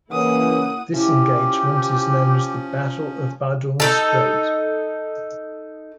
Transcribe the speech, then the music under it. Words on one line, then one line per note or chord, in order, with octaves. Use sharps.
This engagement is known as the Battle of Badung Strait.
C#3 E3 A#3 E4 A#4 F#5 D#6
F3 C#4 E4 G4
D#4 A4